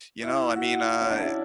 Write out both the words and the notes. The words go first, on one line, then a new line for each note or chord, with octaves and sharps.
you know, I mean, uh,
E4
F#4
C#4
D4
E4